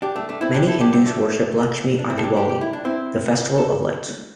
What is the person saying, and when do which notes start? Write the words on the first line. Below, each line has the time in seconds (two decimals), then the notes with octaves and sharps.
Many Hindus worship Lakshmi on Diwali, the festival of lights.
0.02 D4 G4
0.16 A3 D4
0.29 A3 D4
0.41 C4 E4
0.54 D4 G4
0.67 E4 A4
0.80 D4 G4
0.93 G3 C4
1.06 A3 D4
1.99 D4
2.10 C4 E4
2.18 A4
2.23 D4 G4
2.37 D4 G4
2.49 G4
2.61 E4
2.73 D4
2.85 C4 E4
3.58 A4